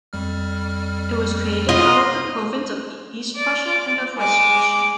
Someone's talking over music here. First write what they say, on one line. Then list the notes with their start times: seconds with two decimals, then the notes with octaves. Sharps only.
It was created out of the Province of East Prussia and of West Prussia.
0.13 F2 G3 F6
1.69 F4 F#4 D#5
3.36 D5
4.17 G#3 D6